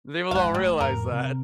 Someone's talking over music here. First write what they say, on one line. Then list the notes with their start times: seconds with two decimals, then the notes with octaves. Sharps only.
People don't realize that.
0.31 D#1 G#1 G#2 F5 F#5
0.54 G1 G3 A3
0.81 F2 A2 A#4
1.12 C3 C4